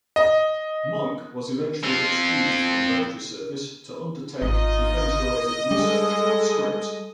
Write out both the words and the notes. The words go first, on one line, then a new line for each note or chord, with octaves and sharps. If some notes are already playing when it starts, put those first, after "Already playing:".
Munk was eventually excused from military service to undertake defense-related research at Scripps.
D#5
C4 F5
G#1 D#4 F4 D#5
G3 G#3 A4